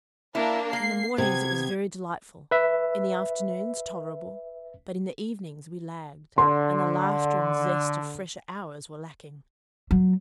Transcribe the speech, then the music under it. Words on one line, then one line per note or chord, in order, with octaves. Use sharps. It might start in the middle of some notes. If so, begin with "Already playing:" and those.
In the mornings it was very delightful; in the afternoons tolerable; but in the evenings we lagged, and the laughter and zest of fresher hours were lacking.
A#3 D4 E4 A#4
A#3 C7
C3 B3 G#6
B4 E5
D3 C6
F#3